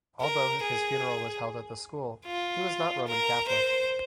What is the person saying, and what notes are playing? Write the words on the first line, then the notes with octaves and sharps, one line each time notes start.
Although his funeral was held at the school, he was not Roman Catholic.
A#4
G#4
F4
A#4
C5